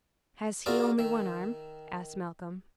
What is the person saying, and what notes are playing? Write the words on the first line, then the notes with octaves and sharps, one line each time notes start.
"Has he only one arm?" asked Malcolm.
F4 F#4 G#4 A#4 D5 E5
D#3 E5